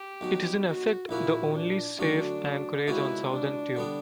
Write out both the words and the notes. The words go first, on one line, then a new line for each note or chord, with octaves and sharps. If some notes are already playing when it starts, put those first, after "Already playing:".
It is in effect the only safe anchorage on Southern Thule.
Already playing: G4
B1 B2 F#3
F#4
A#1 A#2 A#3 C#4 E4 F#4
D4
D2 D3 F#3 C#4 D4 F#4
C#2 B2 A#3 C#4 E4 F#4
D4
D3 G3 B3